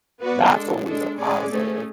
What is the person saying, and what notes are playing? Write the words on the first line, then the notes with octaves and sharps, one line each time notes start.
that's always a positive.
B3 F#4 B4 D5
G#3 D4 A4
G#3 D4 A4
A2 G#3 C#4 G#4 D5
A3 C#4 G#4